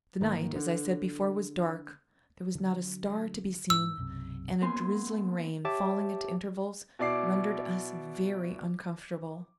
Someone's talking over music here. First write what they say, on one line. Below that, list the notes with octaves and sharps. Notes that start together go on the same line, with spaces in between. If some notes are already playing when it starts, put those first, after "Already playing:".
The night, as I said before, was dark; there was not a star to be seen; and a drizzling rain, falling at intervals, rendered us very uncomfortable.
G#1 D#3 A#3
D3
D3 F#3
G#2 E6
B1 F#2 C3
F#2 A#3 B3 C5 G#5 C6
G4 C#5 E5 A5 D6
B2 E4 D5 D6 C7